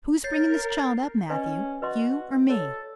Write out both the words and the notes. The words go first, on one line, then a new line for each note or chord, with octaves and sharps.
"Who's bringing this child up, Matthew, you or me?"
A#4 C#5 G6 A6 C7
C#4 B4 D#5 G#5
F#4 B4 D#5 C6
A4 C#5